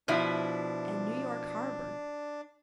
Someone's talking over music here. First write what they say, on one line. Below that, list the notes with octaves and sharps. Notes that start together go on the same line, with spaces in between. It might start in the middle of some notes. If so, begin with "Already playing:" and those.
And New York harbour!
B2 F3 D4 E4